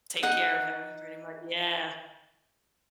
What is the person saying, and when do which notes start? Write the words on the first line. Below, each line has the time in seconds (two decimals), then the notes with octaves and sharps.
Take care of him pretty mu yeah.
0.23 D#4 F#5